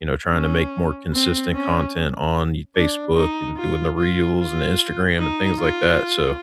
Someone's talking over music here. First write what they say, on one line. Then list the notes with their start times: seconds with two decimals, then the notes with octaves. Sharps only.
you know, trying to make more consistent content on y Facebook and doing the reels and the Instagram and things, like, that, so,
0.32 C#4
1.13 C4
1.54 C#4
2.76 D4
3.16 D#4
3.57 F4
3.97 F4
4.38 F4
5.19 D#4
5.60 F4